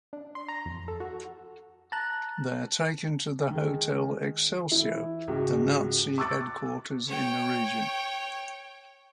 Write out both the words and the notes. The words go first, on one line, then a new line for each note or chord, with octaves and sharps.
They are taken to the "Hotel Excelsior", the Nazi headquarters in the region.
D4
C6
A#5
F2
A4
F#4
A5 A#5 F#6
D#3 G#3
E3 E4
C#2 G#2 F#4 G4
C#6 D6 E6 F#6 A6
C#5 G5